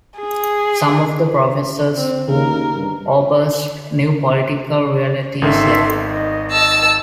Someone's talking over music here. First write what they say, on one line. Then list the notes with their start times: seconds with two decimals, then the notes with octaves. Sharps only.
Some of the professors who opposed new political realities left.
0.18 G#4
1.95 C4
2.30 D#2 A#4
2.76 G2
5.42 G#1 D#3 A4 E5 C6
6.04 D#5
6.51 A5 E6